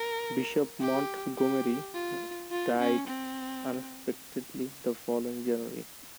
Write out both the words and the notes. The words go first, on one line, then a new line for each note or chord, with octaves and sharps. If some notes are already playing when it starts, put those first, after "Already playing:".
Bishop Montgomery died unexpectedly the following January.
Already playing: A#4
G4
G4
F4
F4
C#4
C4